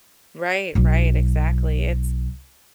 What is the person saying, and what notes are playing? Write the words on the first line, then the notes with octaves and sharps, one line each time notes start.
Right, right, exactly, it's
B1 F#3